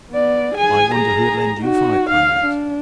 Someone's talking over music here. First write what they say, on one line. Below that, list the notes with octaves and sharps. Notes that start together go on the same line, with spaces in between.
I wonder who'd lend you five pounds?
B3 D5
G#4 G#5
G#4 A#5
D#4 F#4
F5
D4